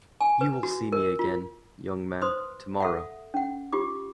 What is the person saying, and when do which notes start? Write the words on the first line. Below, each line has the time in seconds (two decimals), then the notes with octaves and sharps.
You will see me again, young man, tomorrow.
0.21 G#5
0.41 B4
0.63 F#4
0.92 A#4
1.19 F4
2.22 B4 C5 C6 D#6
2.80 A4 E5 F#5
3.34 C#4 F#5
3.73 F4 G4 D6